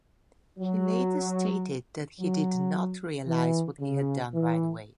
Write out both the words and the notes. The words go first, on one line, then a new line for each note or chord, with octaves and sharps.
He later stated that he did not realize what he had done right away.
F#3
F#3
E3
C#3
E3